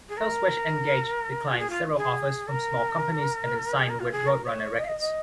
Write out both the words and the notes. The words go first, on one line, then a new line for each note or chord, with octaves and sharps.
Killswitch Engage declined several offers from small companies and then signed with Roadrunner Records.
G#4
A#4
G#4
F4
G#4
F4
G#4
A#4
G#4
A#4
F4
G#4
A#4
C#5
D#5
F5
D#5
D#5